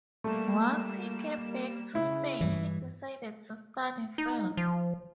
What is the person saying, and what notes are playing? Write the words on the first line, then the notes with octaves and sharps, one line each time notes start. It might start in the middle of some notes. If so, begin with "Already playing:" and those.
Once he came back to Spain he decided to study film.
G3 A3 A#3 E7
C#3 E4
G2 E3
D#4
F3